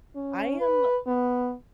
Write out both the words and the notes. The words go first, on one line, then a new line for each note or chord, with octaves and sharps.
I am
C#4
B4
B3